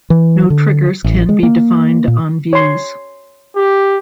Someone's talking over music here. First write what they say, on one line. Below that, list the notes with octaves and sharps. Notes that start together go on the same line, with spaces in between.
No triggers can be defined on views.
E3
D3
A1
G#3
A#3
A#2
C#5 C6
G4